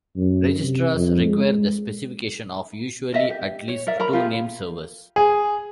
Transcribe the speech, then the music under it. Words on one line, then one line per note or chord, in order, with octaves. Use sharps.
Registrars require the specification of usually at least two name servers.
F#2
C3
F2
G#3
A#4 D#5 E5
G4
C#5
A#4 D5 E5
A#4 A#5 B5
F4 G4 G#4
G#4